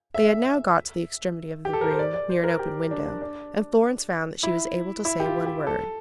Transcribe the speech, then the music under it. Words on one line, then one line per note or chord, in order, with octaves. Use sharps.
They had now got to the extremity of the room near an open window, and Florence found that she was able to say one word.
E5
G4
A4
A#4
C5
D5
D5
C5
A#4
G4
D4
D4
D4
E4
E4
G4
F4
G4
A4